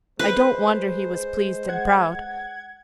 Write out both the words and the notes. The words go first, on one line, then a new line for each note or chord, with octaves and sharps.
I don't wonder he was pleased and proud.
G#3 B4 C5
F#5 G#6